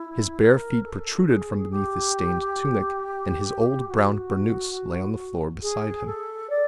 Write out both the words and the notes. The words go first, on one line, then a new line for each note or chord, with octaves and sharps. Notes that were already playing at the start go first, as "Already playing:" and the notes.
His bare feet protruded from beneath His stained tunic, and His old brown burnous lay on the floor beside Him....
Already playing: E4
A#4
A4
G#4
G4
F#4
G#4
A4
D5